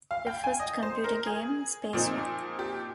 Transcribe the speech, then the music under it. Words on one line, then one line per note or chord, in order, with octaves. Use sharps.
The first computer game, Spacewar!
F5
G5
G#5
D#5
C5
A#4
G#4
A#2 F3 C4 D#4
G4